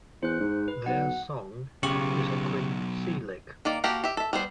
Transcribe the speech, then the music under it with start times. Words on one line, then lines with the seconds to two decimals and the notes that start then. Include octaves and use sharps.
Their song is a quick "se-lick".
0.23 E2 C5 F#6
0.40 G#2
0.68 B4
0.86 B1 F#5
1.83 B1 C#3 F4 G4 C#6
3.65 D#3 A#3 D5
3.84 A#3 F#4 G4 A4 A#4
4.04 G4 E5
4.17 A4 E5
4.33 G3 B3 C5